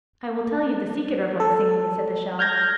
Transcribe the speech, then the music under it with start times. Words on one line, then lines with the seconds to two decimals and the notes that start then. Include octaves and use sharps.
"I will tell you the secret of my singing," said the shell.
1.40 A4
2.39 F6 G6 G#6 A#6